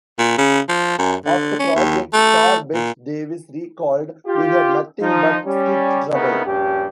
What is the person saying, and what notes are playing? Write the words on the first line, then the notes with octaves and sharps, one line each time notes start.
Of the project, star Bette Davis recalled, We had nothing but script trouble.
A#2
C#3
F3
F#2
D3
C#4
D#2
A3
A#2
F4 G4
F3 D#4
G3 C#4
C#3 B3 C4 D#4 E4 A#4
A#1 G2 C#4 G4